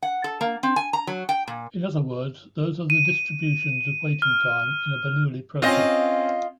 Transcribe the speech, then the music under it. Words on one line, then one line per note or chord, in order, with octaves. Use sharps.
In other words those are the distributions of waiting time in a Bernoulli process.
F#5
A4
A#3
C4
G#5
A#5
F#3
G5
A#2
D#7
F6
C4 C#4 F4 D#5